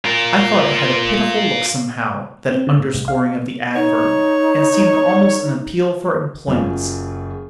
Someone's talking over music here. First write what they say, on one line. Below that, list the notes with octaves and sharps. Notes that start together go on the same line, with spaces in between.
I thought it had a pitiful look somehow, that underscoring of the adverb, and seemed almost an appeal for employment.
F4 A#4
C4
D3
A2
C2
F5
D#4 C#5
F#1 F#2 F4